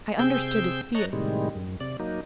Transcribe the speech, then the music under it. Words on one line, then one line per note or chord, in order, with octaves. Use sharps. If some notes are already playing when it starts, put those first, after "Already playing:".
I understood his fear.
C3 C4 G#4 G5 E6 G6
C#5 D#5 A5 A#5 C#6 F#6
A2 C3 D#3 G3 G#3
F#2
C3 D5
F#3 A#3 D#4